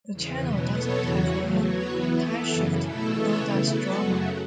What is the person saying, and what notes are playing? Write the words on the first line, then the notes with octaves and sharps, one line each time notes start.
The channel doesn't have a timeshift, nor does Drama.
E2 C#3 E3
B2 F#3 B3
B2 B3 A4 C#5
E2 C#3 E3 C#4 F#4
E2 C#3 F#3 A3
F#3 B3 F#4 C#5
E3 B3 E4
E3 B3 A4
F#2 C#3 E3
B2 A3 E4 A4
C#3 E3 B3 A4 C#5
C#3 A3 E4
F#3 B3 F#4 A4
F#2 C#3 F#3 A3 F#4